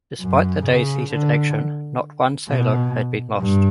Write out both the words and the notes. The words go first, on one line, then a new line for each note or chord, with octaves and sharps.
Despite the day's heated action, not one sailor had been lost.
F#2
C#3
D3
B2
G2